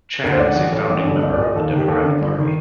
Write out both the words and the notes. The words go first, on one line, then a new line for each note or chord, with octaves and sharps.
Chan is a founding member of the Democratic Party.
D2 A#4
C5
D3 D5
F#5
A1
A2
A1
G2 D3
C2 D#5
D5
A#2
D#5
D#2 A4
D#3
G4
D#2 A4
D3
G1
D#3